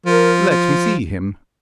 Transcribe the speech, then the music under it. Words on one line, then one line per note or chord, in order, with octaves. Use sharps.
"Let me see him."
F3 A#4
F3